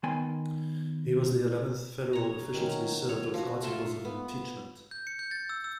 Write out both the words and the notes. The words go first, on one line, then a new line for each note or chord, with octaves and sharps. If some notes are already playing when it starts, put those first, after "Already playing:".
He was the eleventh federal official to be served with articles of Impeachment.
D#3 B3 G5 G#5 C6
C#5 A#5
D#3 F#3 C#4
C#5
F3 F#4
A3 F4 E5 C6
B3
G6
C#7
G6
A6
E6
E6